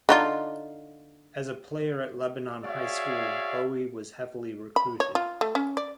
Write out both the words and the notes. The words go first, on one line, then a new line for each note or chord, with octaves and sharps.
As a player at Lebanon High School, Bowie was heavily recruited.
D3 D#4 F4
F#4 G#4 C#5 D5 E5 F5
B5
C#5
F4
A3
C#4
D5